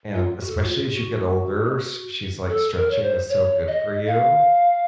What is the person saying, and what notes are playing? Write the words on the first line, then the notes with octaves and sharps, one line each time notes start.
And, especially as you get older, she's like, "Stretching is so good for you
F4
F#4
A4
F#4
F4
F#4
A4
A#4
C#5
C5
C#5
D#5
F5